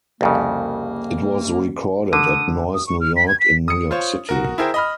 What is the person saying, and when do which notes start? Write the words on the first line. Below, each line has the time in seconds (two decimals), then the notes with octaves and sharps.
It was recorded at Noise New York in New York City.
0.21 C2 F2 C#3 A#3
2.13 D3 D#6
2.74 D#6
2.87 C#6
3.01 F6
3.16 B6
3.28 G#6
3.40 B6
3.68 D#6 C#7
3.91 F4 C5 C#5
4.29 F#4 A#4
4.58 E4 G#4 A#4 C5 G5
4.74 D#5 B5 F6